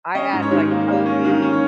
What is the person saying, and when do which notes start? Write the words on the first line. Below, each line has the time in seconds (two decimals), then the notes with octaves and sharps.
I add, like, Colby
0.15 C#4 D#5
0.33 G#2
0.42 C#5
0.51 D#3
0.70 A#3
0.88 A#3
1.06 C#4
1.25 D#3 F5
1.42 C#4
1.53 C#5